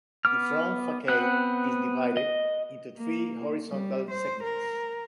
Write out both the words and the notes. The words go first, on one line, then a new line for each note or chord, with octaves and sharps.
The front facade is divided into three horizontal segments.
B3 D6 F6
B3 C4 F#5 F#6
D#5
A#3
G3
C5
A#4